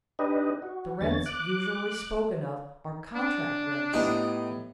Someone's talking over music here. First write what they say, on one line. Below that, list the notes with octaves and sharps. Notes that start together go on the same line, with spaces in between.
The rents usually spoken of are contract rents.
D4 D#4 G4 B4 D#5
F#4
E2 D3 B3 C#5 A6
D6 F#6
D4
A2 B3 D#4 G4